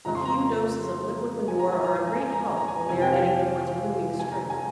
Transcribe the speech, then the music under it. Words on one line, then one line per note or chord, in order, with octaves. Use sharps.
A few doses of liquid manure are a great help when they are getting towards blooming strength.
F2 C#3 F3 A#5
C6
A#5
G#5
A#5
G#5
A#5
G#5
A#5
G#5
A#5
G#5
A#5
G#5
F2 C3 E3 G#5
G5
F5
G5
G#5
A#5
G#5